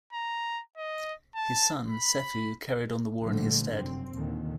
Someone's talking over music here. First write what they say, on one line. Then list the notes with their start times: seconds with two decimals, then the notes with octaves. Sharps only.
His son, Sefu, carried on the war in his stead.
0.13 A#5
0.77 D#5
1.36 A5
1.88 B5
3.20 A1 A#2 D3 F3 G3 A3
3.73 F1 F#2 C4
4.12 D#2 A#2 D3 D#3